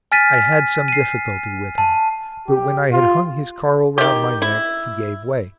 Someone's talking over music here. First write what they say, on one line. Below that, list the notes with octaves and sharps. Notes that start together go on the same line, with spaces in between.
I had some difficulty with him, but when I had hung his coral round my neck he gave way.
G#5 F6 A6 B6 D#7
C7 D#7
A5
G4
F4
D#3 G4
E4